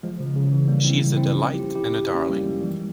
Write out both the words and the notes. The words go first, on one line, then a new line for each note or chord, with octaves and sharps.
She is a delight and a darling.
F3 G#3
C#3 F3
C#3
E3
G3 A#3
C4 E4
C4 E4
C#4 F4
E4 G4
E4 G4
A#3 C#4
G3 A#3
F3 G#3
E3 G3